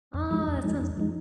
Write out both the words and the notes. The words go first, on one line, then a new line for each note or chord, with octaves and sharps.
Oh, that sounds
F2
F3 G#3 D#4
F2
F3 G#3 D#4
F2
F3 G#3 D#4